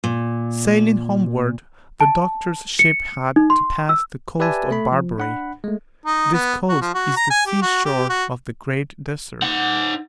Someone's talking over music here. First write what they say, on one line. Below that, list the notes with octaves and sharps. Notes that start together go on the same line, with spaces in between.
SAILING homeward, the Doctor's ship had to pass the coast of Barbary. This coast is the seashore of the Great Desert.
A#2
A5
C#7
D#4
C6
E6
G4 B4 D5 E5 G#5 A5
A3 B5
F3
D4 F#5 B5
G#3 A3
D#4
B3
F#4
F3
F#4
A#5
G#5
G4
F#4
G4
F#4
D#4 F#5